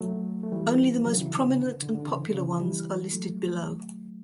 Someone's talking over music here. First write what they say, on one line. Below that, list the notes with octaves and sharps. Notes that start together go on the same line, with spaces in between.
Only the most prominent and popular ones are listed below.
F#3 A3
A3
E3 G3
D3 F#3
C#3 E3
D3
C#3
D3
D3
D3
C#3 E3
D3
C#3
C#3 E3
E3 G3
F#3 A3